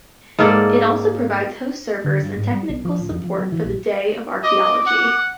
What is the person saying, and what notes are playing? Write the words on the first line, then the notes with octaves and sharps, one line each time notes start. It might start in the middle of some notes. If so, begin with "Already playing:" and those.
It also provides host servers and technical support for the Day of Archaeology.
G#2 A#3 A4 D5
D3
G2
G#2
G3
B1
F3
D1
F2
F3
F#3
E3
A#1
D#5 D6
F#5